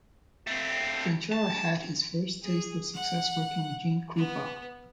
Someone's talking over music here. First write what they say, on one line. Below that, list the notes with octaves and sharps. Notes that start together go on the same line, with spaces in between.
Ventura had his first taste of success working with Gene Krupa.
A3 C4
A5
G#4
F#5
B3